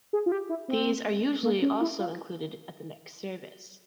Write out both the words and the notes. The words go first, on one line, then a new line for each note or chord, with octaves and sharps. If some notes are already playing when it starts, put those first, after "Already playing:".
These are usually also included at the next Service.
G#4
F4
G4
E4
C4
A#3
C#4
E4
F4